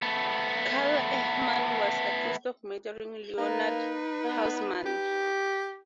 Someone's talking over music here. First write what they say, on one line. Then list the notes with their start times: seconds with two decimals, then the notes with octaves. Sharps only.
Karl Ehmann was accused of murdering Leonhard Hausmann.
0.02 A3 B3
3.38 A#3 D#4 B4
4.24 B3
4.86 G4